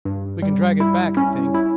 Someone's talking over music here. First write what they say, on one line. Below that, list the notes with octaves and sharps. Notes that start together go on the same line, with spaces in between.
We can drag it back, I think.
G2
G3
E4
C#4
E4